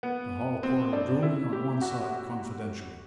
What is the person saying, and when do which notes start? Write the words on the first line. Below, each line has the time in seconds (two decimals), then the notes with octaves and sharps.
The hall porter drew me on one side confidentially.
0.03 B3
0.63 C4
0.93 D4
1.23 E4
1.53 G4
1.82 F#4